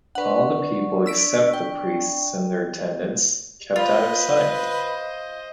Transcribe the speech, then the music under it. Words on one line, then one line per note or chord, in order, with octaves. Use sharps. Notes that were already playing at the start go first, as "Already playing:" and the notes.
All the people except the priests and their attendants kept out of sight.
D4 B4 D5 F#5 C#6
E6 B6 D7
G5
F4 B4 C5 D#5